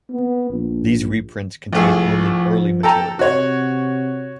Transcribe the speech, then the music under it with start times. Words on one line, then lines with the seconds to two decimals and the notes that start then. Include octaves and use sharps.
These reprints contain only early material.
0.10 B3
0.50 A#1
1.73 C2 F3 A3 G#4
2.83 A4 G5 A#5
3.19 C3 F#4 C#5